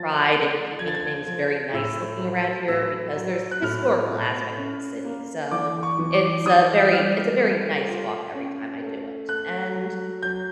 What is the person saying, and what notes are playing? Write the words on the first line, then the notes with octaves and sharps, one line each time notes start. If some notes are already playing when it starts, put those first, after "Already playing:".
pride in keeping things very nice looking around here because there's historical aspect of the city, so, it's a very it's a very nice walk every time I do it. And,
Already playing: F3 A6
A3
F3 G#6
A6
G#6
F3
A2 E6
F#3
A2 E6
F#3
F#6
A2 F6
A2
C#4
A#3
E3 D6
C#6
E3
D6
E3 D#6
G3 F6
A3
F4
C#4
A3
A3 F#6
F#3
F#3 G6